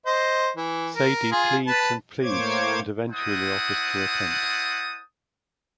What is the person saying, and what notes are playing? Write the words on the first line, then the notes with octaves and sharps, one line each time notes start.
Sadie pleads and pleads and eventually offers to repent.
C5 D#5
E3
A#4
F4 G#4
B4 A5
A2 A#3 C5 C#5 D6 G#6
E4 C5 D#5 F#5 A5 D#6